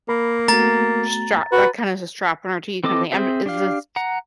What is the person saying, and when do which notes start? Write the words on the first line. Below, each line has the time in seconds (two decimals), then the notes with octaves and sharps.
strap like, kinda has a strap, an RT kinda thing. I'm is this
0.09 A#3 A#4 B5
0.48 A3 B3 F#4 A#5 A6
1.52 F#4 B4
2.84 E3 C4 A4 D#5 D6
3.12 C4 G#4 C5 E5
3.46 D4 G4 F5
3.96 F#5 A#5